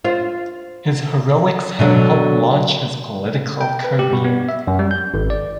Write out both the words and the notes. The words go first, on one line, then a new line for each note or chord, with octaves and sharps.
His heroics had helped launch his political career.
F4 C5
B2 D3 F#3
G5
B4
G4
B2
B3
E5
F#2
G3
G6
G#1
D5